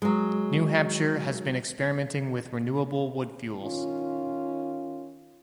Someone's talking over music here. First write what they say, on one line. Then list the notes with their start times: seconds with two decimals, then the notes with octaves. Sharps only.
New Hampshire has been experimenting with renewable wood fuels.
0.02 F#3 G#3
3.62 D#3 C#4 F4